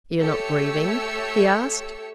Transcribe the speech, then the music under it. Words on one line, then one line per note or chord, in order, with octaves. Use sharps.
"You're not grieving?" he asked.
A3 G4 A4 C#5 E6 C#7